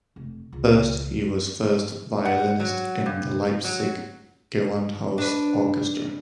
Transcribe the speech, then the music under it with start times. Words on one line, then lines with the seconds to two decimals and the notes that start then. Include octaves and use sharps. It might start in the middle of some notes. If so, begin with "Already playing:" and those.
First he was first violinist in the Leipzig Gewandhaus Orchestra.
0.16 F1
0.53 C#2
2.25 F#5
2.60 F#3
3.06 G2
3.64 F#3
5.18 D4 B4